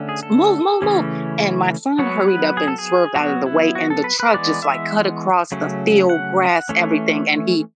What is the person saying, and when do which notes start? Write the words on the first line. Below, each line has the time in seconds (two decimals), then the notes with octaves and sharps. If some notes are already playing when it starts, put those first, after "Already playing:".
"Move move move." and my son hurried up and swerved out of the way and the truck, just, like, cut across the field, grass, everything, and he
Already playing: D3 A3 C#4
0.09 G#4
0.23 A4
0.82 C#3 E3 A3 C#4
1.99 F#3 B3 C#5
2.28 B4
2.57 G#4
2.68 A4
2.78 G#4
3.16 F#3 B3 F#4
3.46 E4
3.75 F#4
3.90 A4
4.04 B4
4.20 B4
4.34 E3 G#3 B3 D5
4.63 E5
5.52 C#3 F#3 A3 C#4
6.09 F#5
6.69 E3 A3 C#4